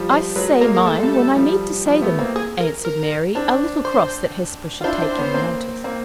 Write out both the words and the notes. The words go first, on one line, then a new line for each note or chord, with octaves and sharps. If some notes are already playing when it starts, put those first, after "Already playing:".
"I say mine when I need to say them," answered Mary, a little cross that Hesper should take any notice.
Already playing: F3 G3
C5
F#3 G#3 B4
G#3 A#3 A#4
A#4
A3 A4
G#3
G3 A3
F3 G3
F3 G3
A3 B3
A#3 C4
G#4
A#4
A#4
C4 D4
C5
F4
D4 E4 C5
C4 D4
B3 C#4
A#3 C4
A#3 C4